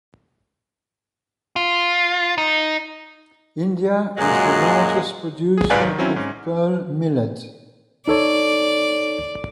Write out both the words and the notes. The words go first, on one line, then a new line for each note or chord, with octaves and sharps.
India is the largest producer of pearl millet.
F4
D#4
F#2 A#2 F#3 G#3
G#4
C2 G#2 B4 D5 F5 G#5
D#3
F#3 C4 C#4 E4
G#2 C#4
D#4 A4 C#5 D5